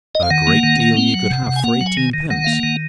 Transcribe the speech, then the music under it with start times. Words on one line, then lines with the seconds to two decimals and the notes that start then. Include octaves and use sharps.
A great deal you could have for eighteenpence!
0.15 D#5
0.23 F5
0.30 D#3 F#5
0.47 A#3
0.63 D#3
0.80 A#3
0.97 C4
1.14 F#3
1.30 C3
1.47 C3
1.56 G#5
1.64 A#3 F#5
1.81 F#3
1.86 G#5
1.97 D#3
2.14 D#3
2.31 D#3 F#5
2.44 A#3 F5
2.53 F#5
2.63 D#3